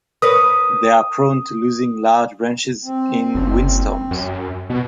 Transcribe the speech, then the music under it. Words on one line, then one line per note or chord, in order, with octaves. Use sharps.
They are prone to losing large branches in windstorms.
A#4 B4 C#5 D#6
C4
F#1
F#2
B2